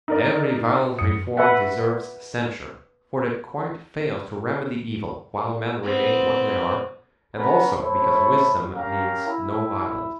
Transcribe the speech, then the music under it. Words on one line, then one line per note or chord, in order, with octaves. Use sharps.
Every violent reform deserves censure, for it quite fails to remedy evil while men remain what they are, and also because wisdom needs no violence.
D#4 A#4 D5
F#2 D#6 C#7
B4 E5 F#5
B3 C4
B3 C#4 A#5
A3 C5 C#5 B5
C#4 G4 A#4 F5 A#5
E4